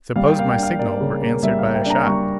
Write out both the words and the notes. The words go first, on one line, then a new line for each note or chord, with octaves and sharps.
Suppose my signal were answered by a shot?
G3 F5
G5
A#3 F5
G5
D4
F5
A#3 D5
C#3
A#3
G3 E5
F5
A#3
G5
D4 A#5
G3 C#6